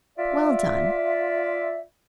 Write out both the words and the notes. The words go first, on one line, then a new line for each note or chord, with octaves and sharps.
Well done.
F4 D5 E5